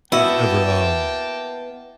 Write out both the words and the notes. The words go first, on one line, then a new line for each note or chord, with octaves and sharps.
who's ever um,
A#3 B3 E4 F#4 D#5 G5 A5